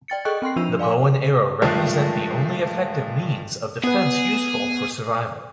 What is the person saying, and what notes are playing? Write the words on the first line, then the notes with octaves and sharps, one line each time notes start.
The bow and arrow represent the only effective means of defense useful for survival.
D5 G5 A6 C#7
G#4 A4 D#5 G5 C#6 F#6
C4 G5 C6 C7
F3 D4 F4 E6 D#7 F7
D5 F5 G#5 C6 D6
G2 D#3 F3 G#3 A3
B3 G#4 B4